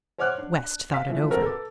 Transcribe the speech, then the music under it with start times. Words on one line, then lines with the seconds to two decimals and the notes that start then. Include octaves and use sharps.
West thought it over.
0.18 C5 C#5 F#5 D6 F6 F#6
0.38 D4
0.92 F5 B6
1.09 E3 F3 A3
1.30 C4 F#4 A4 A#4
1.42 A4 B4 D6